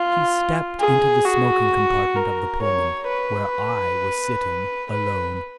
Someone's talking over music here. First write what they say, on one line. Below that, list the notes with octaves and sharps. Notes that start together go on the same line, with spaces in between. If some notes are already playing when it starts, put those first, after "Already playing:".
HE STEPPED into the smoking compartment of the Pullman, where I was sitting alone.
Already playing: F4
G#4
F#4
A#4
C#5
B4
B4